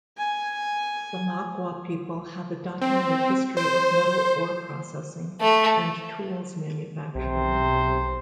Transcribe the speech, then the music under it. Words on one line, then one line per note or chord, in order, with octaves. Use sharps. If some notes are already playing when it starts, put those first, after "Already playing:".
The Makua people have a documented history of metal ore processing and tools manufacturing.
G#5
C4
C5
A3
B1 C3 C5